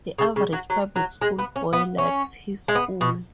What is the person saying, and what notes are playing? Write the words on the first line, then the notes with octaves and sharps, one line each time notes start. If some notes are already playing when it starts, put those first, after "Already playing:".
The average public-school boy likes his school.
C#3
C#3
F#3
F#3
F#3
G#3
B3
C#4
B3
C#4
G#3
B3
B2